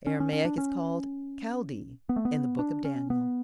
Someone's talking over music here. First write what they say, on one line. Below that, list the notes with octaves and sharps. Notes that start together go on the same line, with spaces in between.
Aramaic is called 'Chaldee' in the Book of Daniel.
C#4
C#4
C#4
D4
C#4
B3
A3
B3
D4
C#4
B3